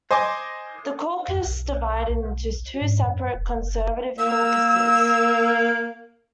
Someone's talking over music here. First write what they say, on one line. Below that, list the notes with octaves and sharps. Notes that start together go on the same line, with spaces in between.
The caucus divided into two separate Conservative caucuses.
C5 D#5 G#5 C6 D6
F2
B1
B1
G#2
F#2
E1
F#1
A#3 E6